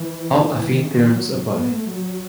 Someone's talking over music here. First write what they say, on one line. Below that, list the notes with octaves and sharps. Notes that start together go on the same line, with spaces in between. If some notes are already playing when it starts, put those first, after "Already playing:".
All affine theorems apply.
Already playing: E3
D#3
C#3
D#3
E3
F#3
A3
B3
A3
F#3